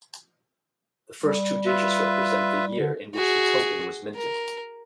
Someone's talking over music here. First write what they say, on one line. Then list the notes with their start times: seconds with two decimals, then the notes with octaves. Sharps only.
The first two digits represent the year in which the token was minted.
1.24 G3
1.66 F4 B4 E5
2.79 D3
3.15 F#4 G#4
4.15 A#4